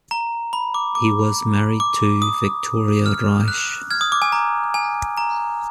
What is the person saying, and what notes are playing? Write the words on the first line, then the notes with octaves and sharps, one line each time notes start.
He was married to Victoria Reich.
A#5
B5
D6
D6
D6
D#6
F6
F#6
F6 G#6
D#6
D6
G#5
A#5
G#5
A#5